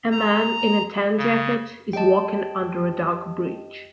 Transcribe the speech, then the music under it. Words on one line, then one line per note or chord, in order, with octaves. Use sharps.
A man in a tan jacket is walking under a dark bridge.
A#5
C#3
G4 D#5 G5 A5